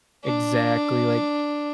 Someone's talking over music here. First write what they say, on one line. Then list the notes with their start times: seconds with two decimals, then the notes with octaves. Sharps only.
exactly, like,
0.24 D4